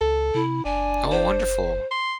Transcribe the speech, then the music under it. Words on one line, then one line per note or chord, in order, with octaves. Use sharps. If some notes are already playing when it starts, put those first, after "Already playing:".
Oh, wonderful.
C#2 A4
C3 E4
F#1 D4 G#5
C5
C6